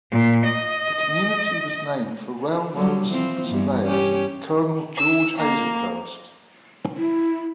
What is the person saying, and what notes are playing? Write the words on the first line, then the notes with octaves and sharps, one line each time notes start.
The community was named for railroad surveyor Colonel George Hazlehurst.
A#2
D#5
F#3 G3
E3 F3 C4
G2 E3 B3
C#4 G4
E6
A#3
E4